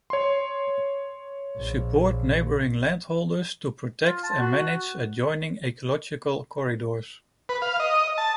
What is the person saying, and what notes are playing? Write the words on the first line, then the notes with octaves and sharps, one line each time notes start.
Support neighbouring landholders to protect and manage adjoining ecological corridors.
C#5 C6
A#1
F4
A5
F#4 F#5
B4
F5
D#5
A5